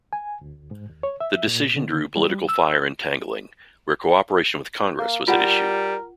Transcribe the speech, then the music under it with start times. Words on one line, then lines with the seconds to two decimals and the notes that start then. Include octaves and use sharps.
The decision drew political fire and tangling, where cooperation with Congress was at issue.
0.13 G#5
0.41 D2
0.71 G#2
0.90 D#2
1.03 C#5
1.20 E5
1.47 A#2
1.76 D3
2.16 G3
2.49 E6
4.99 A#3
5.28 G3 F4 A#4 F#5